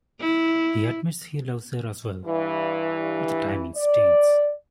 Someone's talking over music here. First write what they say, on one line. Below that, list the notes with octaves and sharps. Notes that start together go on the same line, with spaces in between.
He admits he loves her as well, but the timing stinks.
E4
G2 E3
D5